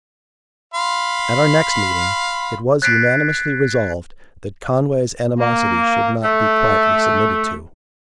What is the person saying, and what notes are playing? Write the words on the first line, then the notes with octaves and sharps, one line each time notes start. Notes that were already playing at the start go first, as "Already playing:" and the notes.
At our next meeting it was unanimously resolved that Conway's animosity should not be quietly submitted to.
F5 B5 C6
F#6 G#6 A6 B6 C7 D7
A#3
A3